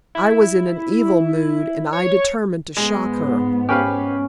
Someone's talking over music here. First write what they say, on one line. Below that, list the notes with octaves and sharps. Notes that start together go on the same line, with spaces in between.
I was in an evil mood, and I determined to shock her.
E4
C#5
G#2 G#3 B3
C#4 G4 B4 F5